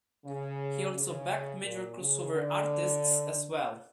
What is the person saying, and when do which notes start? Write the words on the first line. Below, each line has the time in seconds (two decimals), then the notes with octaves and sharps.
He also backed major crossover artists as well.
0.25 C#3
0.95 C#3
1.64 A#2
1.99 C#3
2.33 D3